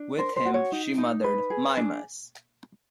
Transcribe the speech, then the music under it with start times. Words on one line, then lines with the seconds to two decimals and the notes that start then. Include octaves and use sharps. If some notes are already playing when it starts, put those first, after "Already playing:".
With him, she mothered Mimas.
Already playing: D4
0.18 A#4 C5
0.36 C5
0.45 F#4
0.54 C#5
0.72 D#4
0.98 D#4
1.24 B4
1.50 G#4
1.77 D4